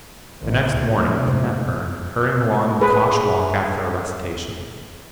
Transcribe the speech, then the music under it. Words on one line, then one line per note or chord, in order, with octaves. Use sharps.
The next morning he met Burne hurrying along McCosh walk after a recitation.
A1
D2
C3
G#4 B4